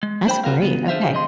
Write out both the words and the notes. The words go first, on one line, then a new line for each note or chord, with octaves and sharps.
That's great, okay.
G#3
D4 C5 G5 B5
F4 F#4 A#4 F5
C#3 B3
D4 G#4 C5 E5 F5
D#2 C3 D#5 C6